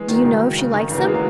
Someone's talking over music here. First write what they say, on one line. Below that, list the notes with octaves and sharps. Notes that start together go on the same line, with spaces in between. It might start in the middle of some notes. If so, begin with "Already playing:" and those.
"Do you know if she likes them?"
Already playing: E3 G#3
D#3 F#3
C#3
D#3
C#3
D#3
C#3 E3
F#3 A#3
G#3 B3
F#3